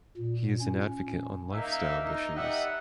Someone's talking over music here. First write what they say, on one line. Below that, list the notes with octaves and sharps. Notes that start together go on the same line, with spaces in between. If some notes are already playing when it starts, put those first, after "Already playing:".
He is an advocate on lifestyle issues.
A#2
C#4
A#3 D#4 E5
D#4
G3 D#5 E5 F#5